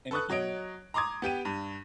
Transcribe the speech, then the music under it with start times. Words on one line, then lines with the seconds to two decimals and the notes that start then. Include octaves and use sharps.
And it can
0.11 A4 B4 C#6 D#6 F#6
0.30 F#3 C#5 D#5 D7
0.94 A#5 C6 D6 D#6 G#6
1.22 B3 G4 G5 D#7
1.45 G2